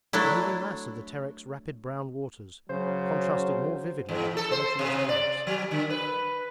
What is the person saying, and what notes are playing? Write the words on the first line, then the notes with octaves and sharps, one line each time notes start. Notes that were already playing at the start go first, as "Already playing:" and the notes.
The moving mass of the Terek's rapid brown waters contrasted more vividly with its motionless banks.
F#3 A3 D4 E4
C#3 F#3 C5
E2
A4
C5
C3
D5
F#3
D3
B4